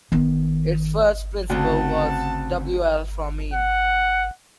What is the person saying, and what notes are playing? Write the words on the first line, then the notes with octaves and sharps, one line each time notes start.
Its first principal was W. L. Fromein.
D#3 B3
D2 C#3 C4 F#5 A5
F#5